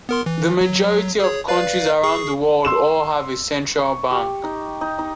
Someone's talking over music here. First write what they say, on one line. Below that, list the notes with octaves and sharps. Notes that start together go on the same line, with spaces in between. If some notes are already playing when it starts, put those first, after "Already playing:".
The majority of countries around the world all have a central bank.
B3 A#4 C6
E3
F#3
G#4 C#5
B4 D5 F5
G#4 C#6 C7
C6 E6 E7
C#6
G4
D#4
D#4
D#4